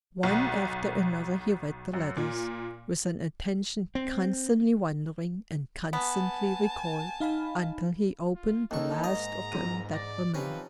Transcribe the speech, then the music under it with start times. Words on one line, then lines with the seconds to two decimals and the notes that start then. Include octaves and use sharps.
One after another he read the letters, with an attention constantly wandering and constantly recalled, until he opened the last of them that remained.
0.23 B1
1.94 F#2
2.17 A#2
3.95 C4
5.93 B3 G#5 A5
7.20 D#4 F5 B5
8.35 F4
8.71 D#2 A#3 D#4 A4 C#6
9.04 G#2 D#5 A#5
9.52 E1 E2 D#7
9.93 D5 A6 A#6
10.34 C3 F3 C#4 D#4 G4 B4